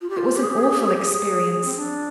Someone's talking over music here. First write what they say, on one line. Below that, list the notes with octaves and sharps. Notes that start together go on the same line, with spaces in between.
It was an awful experience.
F4
G4
F4
G4
G#4
G4
G#4
G4
G#4
G4
G#4
G4
G#4
C4
D4